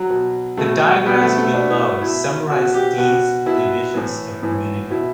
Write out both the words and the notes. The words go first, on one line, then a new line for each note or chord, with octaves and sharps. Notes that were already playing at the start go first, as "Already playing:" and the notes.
The diagram below summarizes these divisions of immunity.
Already playing: F#3
B2
B2 A3
B2 B3
A3
A3
B2 D4
E4
B2 E4
B2 F#4
G4
B2 F#4
B2 E4
A2 E3
A2 E3
B2 E4